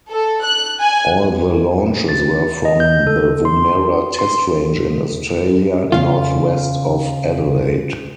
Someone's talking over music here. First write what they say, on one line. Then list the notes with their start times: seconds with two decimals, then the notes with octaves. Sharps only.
All the launches were from the Woomera Test Range in Australia, north-west of Adelaide.
0.11 A4
0.43 F#6
0.80 G#5
2.09 A6
2.65 D#5
2.80 G6
3.07 A4
3.45 C6
4.19 C6
5.92 C#3 F4 F5